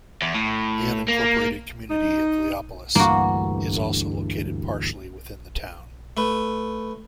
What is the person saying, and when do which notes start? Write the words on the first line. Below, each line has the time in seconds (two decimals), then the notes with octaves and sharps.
The unincorporated community of Leopolis is also located partially within the town.
0.22 E2
0.35 A2
1.09 A#3
1.90 D#4
2.95 D2 G2 E3 A#3 F#4
6.17 A3 B4